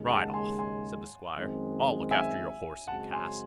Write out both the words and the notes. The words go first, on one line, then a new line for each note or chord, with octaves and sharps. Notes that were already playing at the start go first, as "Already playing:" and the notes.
'Ride off', said the Squire; 'I'll look after your horse and cask.'
Already playing: D#2 C#3 G#3
F#5 A5
G#5 C6
G#5 C6
F#2 D#3 G#3 C4
E5 G#5
F#2 C#3 G#3 C4 F#4 F#5 A5
G#5 C6